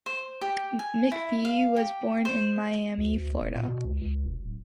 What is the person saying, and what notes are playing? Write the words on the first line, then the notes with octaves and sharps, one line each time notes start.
McPhee was born in Miami, Florida.
C5
G4
G#5
E4
F5
G4
C5
D2
D2
E1
A#2
B2
C#2
C#2
E1
D1